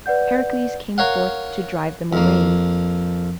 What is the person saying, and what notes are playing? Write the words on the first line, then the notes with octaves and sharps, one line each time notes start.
Heracles came forth to drive them away.
B4 D5 F#5 G6
A#4 C#5 F5 F#5
F2 A#3